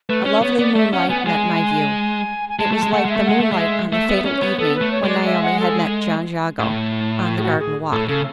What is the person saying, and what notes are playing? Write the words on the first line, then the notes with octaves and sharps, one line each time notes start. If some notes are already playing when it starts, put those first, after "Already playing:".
A lovely moonlight met my view; it was like the moonlight on the fatal evening when Naomi had met John Jago on the garden walk.
A3 B4
C#4 C#5
B3 C#5
B3 D5
A3 E5
C#4 F#5
B3 G#5
F#5
G#3 G#5
G#5
G#3 A5
A3 A5
G#3
A3 F#5
G#3 E5
A3
G#3 F#5
A3 E5
G#3
E5
A3 E5
B3
C#4
B3 C#5
B3 A4
B4
A3
C#5
G#3 D5
E5
F#5
A4
A2
G#4
F#4
G#4
A2 A4
C#3 A4